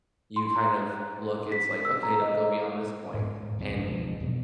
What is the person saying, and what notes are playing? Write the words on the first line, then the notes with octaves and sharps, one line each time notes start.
you kind of look It's like, "Okay, don't go beyond this point, and
C6
A#5
F#6
B6
E6
A#5
D#5
G#2
C#2 F#2 A#2 C4
E1 F3
G2 B2 F#3